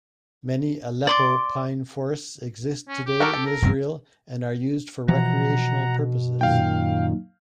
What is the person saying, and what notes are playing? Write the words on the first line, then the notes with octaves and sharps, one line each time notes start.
Many Aleppo pine forests exist today in Israel and are used for recreational purposes.
D5 C6 D6
C#4
G4
F#4 A4 A#4
A4
A#4
E1 G2 C4
B2 E3 F3 F#5 A#5
F#2 A#2 D#3 F5 G5